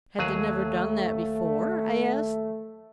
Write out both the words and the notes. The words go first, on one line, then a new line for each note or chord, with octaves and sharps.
"Had they never done that before?" I asked.
D#2 F#3 A3 G#4